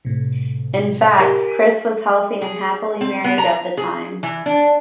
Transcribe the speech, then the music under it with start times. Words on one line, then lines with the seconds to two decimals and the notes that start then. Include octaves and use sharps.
In fact, Criss was healthy and happily married at the time.
0.05 A2 C3
1.19 G4 A#4 G#5
2.42 G#4
3.01 C4
3.24 B3
3.38 A#5
3.77 G#4
4.23 E3
4.46 D4